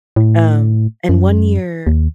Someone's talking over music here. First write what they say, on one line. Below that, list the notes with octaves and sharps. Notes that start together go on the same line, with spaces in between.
Um, and one year,
A2
F#2
D#2